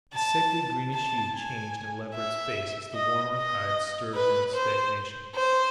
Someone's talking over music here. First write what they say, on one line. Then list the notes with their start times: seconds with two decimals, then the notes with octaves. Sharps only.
The sickly greenish hue changed in Leverett's face as the warmer tide stirred from its stagnation.
0.13 A5
0.94 A5
1.33 G#5
2.15 E5
2.94 D#5
3.35 D#5
4.15 B4
4.55 C5
5.35 C5